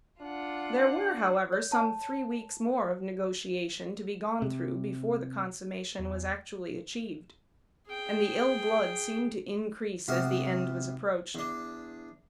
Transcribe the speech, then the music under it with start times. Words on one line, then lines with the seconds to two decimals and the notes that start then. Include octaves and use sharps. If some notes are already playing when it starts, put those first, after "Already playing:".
There were, however, some three weeks more of negotiation to be gone through before the consummation was actually achieved, and the ill blood seemed to increase as the end was approached.
0.21 D4 F4 F#5
1.52 C#5
1.72 A5
4.42 C3
5.99 E2
7.87 G#4 G5
10.08 G#2 C3 B3 F#4 A#4
11.35 E2 D4